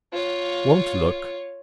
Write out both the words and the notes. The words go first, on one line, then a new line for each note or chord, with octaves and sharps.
Won't look.
F4 C#5